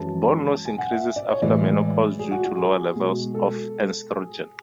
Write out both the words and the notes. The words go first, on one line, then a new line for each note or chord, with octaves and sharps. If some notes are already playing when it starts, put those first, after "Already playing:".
Bone loss increases after menopause due to lower levels of estrogen.
Already playing: F#2 E3 G#3 A5
G#5
F#5
E5
D5
C#5
A2 E3 G#3 D5
G#4
F#4
F#4
G#4
B2 G#3
A4
G#4